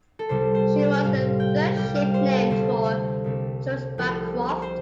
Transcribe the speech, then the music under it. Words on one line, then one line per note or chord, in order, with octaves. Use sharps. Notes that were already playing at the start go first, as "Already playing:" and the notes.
She was the third ship named for George Bancroft.
A4
C2 C3 G3 C4 C5
C5
C5
A2 G3 C4 F5
G5
C2 C3 G3 G5
F5
C5
A4
D2 C3 G3 C4 C5
C2 C3 A3 C4
C2 C3 F3 A3
C5